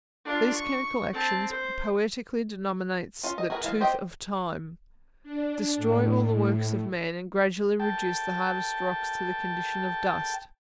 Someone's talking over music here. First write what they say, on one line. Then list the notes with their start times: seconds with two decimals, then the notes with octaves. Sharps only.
These chemical actions, poetically denominates the "tooth of time," destroy all the works of man, and gradually reduce the hardest rocks to the condition of dust.
0.25 D4 F4
0.54 C#6
1.12 C4 A5
1.50 C5
3.23 C#4 F4
3.38 D#5
3.50 F#4 G#4 A#4 B4
3.62 E3 G#3 F5
3.81 C4 G4 C5 D#5 G5
5.23 D4
5.76 A2
7.80 G5 A5